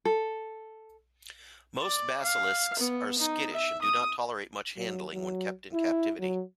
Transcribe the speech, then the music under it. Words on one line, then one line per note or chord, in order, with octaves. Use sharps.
Most basilisks are skittish, and do not tolerate much handling when kept in captivity.
A4
D5
F5
B3
D#4
E5
D#6
F#3
F#3
E4
F#3